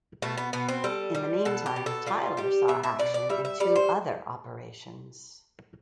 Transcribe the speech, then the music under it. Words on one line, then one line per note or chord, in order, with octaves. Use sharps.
In the meantime, "Tyler" saw action in two other operations.
B2 A3
B3
B2 B3
C4
G3 A4
G3
B2 A4
G4
B2
A4
G3 F4
G3 G4
B2 E5
E5
B2 D5
D5
G3 E5
E5
G3 D5
C5